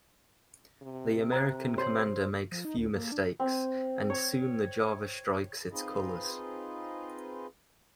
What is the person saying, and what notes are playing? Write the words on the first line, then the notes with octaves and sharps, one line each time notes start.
The American commander makes few mistakes and soon the "Java" strikes its colours.
C3
C5 A#5
F#4 C5 C#5 C6
F3
D#4
D2
A#3
D4
C4
C#5
C4 D#4 F4 G#4 B4 D#5